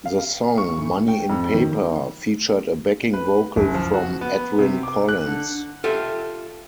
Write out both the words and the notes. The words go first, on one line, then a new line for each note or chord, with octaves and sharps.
The song 'Money In Paper' featured a backing vocal from Edwyn Collins.
F5
C#6
D2
G5
F2
D#3
B4
F#1
F3
F#4
B3
C3
D6
F#6
D3
F4 G4 A4 E5